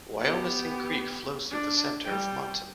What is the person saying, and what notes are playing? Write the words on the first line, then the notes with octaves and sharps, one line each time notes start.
Wyomissing Creek flows through the center of Mohnton.
B3 G4
D4 D5
G3 G5